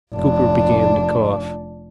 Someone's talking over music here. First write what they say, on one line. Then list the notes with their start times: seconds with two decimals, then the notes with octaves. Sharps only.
Cooper began to cough.
0.14 F1 D4